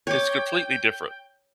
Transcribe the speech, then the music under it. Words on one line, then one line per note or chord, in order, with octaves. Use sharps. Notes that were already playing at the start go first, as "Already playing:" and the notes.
It's completely different,
C#5 G5 D6